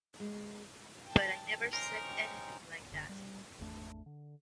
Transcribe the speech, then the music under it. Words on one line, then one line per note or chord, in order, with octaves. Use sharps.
But I never said anything like that.
G#3
G5 A5
C#4 D#4 A#4 C5 C6
G4 C#6
F#1 D3
G3
G#1 E2 A3 D4
D3